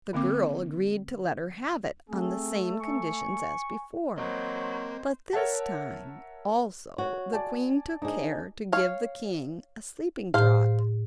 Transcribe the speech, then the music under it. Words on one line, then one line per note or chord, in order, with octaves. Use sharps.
The girl agreed to let her have it on the same conditions as before; but this time, also, the queen took care to give the king a sleeping draught.
D3 A#3 C4 D6
A3 C4 G#4
G#5 C#6
F#3 A#3 C4 C5 D#5
A#4 C#5 E5 F#5 A5
F#4 C#5
D5 G#5 A5
D4 D#4 G#4 C5 D#5
C#5 F5
A2 C5 F5